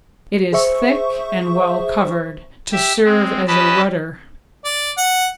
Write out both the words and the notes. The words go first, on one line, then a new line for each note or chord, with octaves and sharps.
It is thick and well covered, to serve as a rudder.
G#4 C5 E5 C#6
G4 E5
G#3 C4
C#4 G4 B4 D#5 A5 B5
D5
F#5